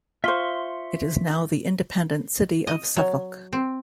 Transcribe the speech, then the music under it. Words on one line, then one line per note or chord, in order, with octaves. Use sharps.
It is now the independent city of Suffolk.
F4 C5 E5 C6 C#6
D#5
F#3
C4